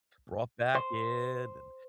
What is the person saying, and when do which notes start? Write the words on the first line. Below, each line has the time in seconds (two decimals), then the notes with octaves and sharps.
brought back in, and
0.75 C5